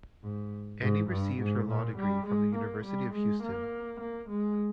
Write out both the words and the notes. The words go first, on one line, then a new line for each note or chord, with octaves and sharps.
Annie received her law degree from the University of Houston.
G#2
G#2
G2
G#2
A#2
G3
G#3
A#3
G3
G#3
A#3
A#3
G#3